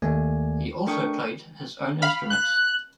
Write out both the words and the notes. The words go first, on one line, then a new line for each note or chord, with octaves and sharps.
He also played his own instruments.
D#2 A3 A#3 D5 G#5
A3 D4 A#4 G5 C#6 D#6
F5 B5 F6
F#6